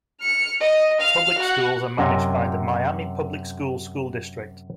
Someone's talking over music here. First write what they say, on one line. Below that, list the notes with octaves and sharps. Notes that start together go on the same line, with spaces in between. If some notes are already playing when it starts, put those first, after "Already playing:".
Public schools are managed by the Miami Public Schools school district.
F6 C#7
D#5
F5 F6
F#4 F#5
F#2 C3 D#5 G#5